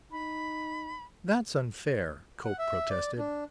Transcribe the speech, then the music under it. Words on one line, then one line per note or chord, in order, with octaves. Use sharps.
"That's unfair," Cope protested.
D#4 B5
F#5
E5
D5
D4